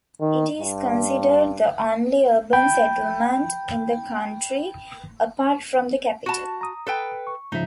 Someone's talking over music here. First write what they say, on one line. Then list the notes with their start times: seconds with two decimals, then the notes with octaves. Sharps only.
It is considered the only urban settlement in the country, apart from the capital.
0.20 D#3
0.59 G2
2.53 G5 B5 G6
6.26 F#4 A5
6.61 A#5 D#6
6.87 A4 B4 G5
7.27 C#6
7.52 G#2 C#3 F3 D#4 E5